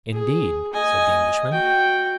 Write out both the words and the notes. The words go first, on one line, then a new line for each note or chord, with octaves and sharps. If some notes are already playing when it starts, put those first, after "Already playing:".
"Indeed!" said the Englishman.
G#4
D#5 G#5
F#4 G5